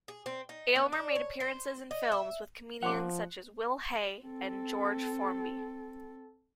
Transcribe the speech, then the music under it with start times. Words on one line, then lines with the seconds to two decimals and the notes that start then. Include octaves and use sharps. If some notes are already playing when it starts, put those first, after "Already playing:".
Aylmer made appearances in films with comedians such as Will Hay and George Formby.
0.08 G#4
0.26 C4
0.49 D#4
0.76 B3
0.92 D4
1.15 C#5
1.40 C5
1.91 D#5
2.12 E5
2.82 F3 F#5 C6 D6
4.23 C4 A4